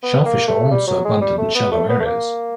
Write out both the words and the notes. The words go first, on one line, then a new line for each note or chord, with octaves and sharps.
Shell fish are also abundant in shallow areas.
B3
A#3
A3
G3
F#3
G#3
G3
A3
B3
A3
B3
A3
A#3